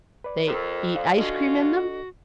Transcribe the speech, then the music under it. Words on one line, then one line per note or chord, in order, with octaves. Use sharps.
"They eat ice-cream in them?"
B4 D5
F2 A#4
C5 D5 F5
C#4 D4 F4 F#4 A4 D#5